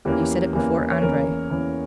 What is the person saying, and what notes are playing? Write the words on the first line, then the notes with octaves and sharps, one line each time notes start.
You said it before Andrey.
E2 E3 A#3 C#4 G4
E2 E3 A#3 C#4
C#5
E2 E3 A#3 C#4 A#4
E2 E3 A#3 C#4